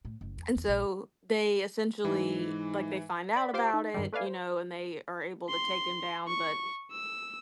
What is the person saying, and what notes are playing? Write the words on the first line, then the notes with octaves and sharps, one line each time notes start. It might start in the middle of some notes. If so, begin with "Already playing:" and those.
and so they essentially like, they find out about it, you know, and they are able to take him down, but,
A2
F#1
E2
E2
A#1
G#2 E3
D5 B5
F4 G4 C5 F5 C6 D6
D#4
G2 D#3 G3
A3 B4 D5 F5 G#5
C5
C6
C#6
E6